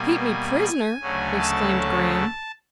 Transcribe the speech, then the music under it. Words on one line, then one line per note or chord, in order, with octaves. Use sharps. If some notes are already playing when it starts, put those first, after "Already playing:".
"Keep me prisoner!" exclaimed Graham.
Already playing: B2 G3 A#3 G#5
D2 C#3 F#3 A3
A5